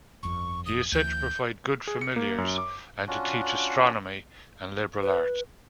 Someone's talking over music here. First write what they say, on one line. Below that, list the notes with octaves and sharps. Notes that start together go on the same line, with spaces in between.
He is said to provide good familiars, and to teach astronomy and liberal arts.
G1 F2 C#6
D#6
D2 E3 G6
G#4
C#7
A#3
F#2
D6
C#4 D4 F4 F#4
B4